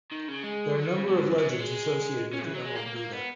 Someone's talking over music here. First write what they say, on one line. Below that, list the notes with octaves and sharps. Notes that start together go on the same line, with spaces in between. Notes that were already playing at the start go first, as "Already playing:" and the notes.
There a number of legends associated with the Emerald Buddha.
D#3
C#3
G#3
F#3
D#3
C#3
B2
G#2
F#2
G#2
F#3
G#3
C#4
E3
F#3
G#3
A#3
A#3
A#3
B3